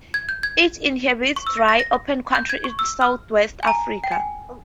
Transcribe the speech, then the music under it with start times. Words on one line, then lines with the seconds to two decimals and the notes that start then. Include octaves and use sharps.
It inhabits dry, open country in southwest Africa.
0.14 G#6
0.29 G6
0.43 G#6
1.36 C#6
1.47 E6
1.57 A#6
1.69 A#6
1.80 A#6
2.35 G6
2.49 G#6
2.64 C#6
2.79 E6
3.01 F6
3.63 G#5
3.67 A#5
4.04 G5
4.12 G#5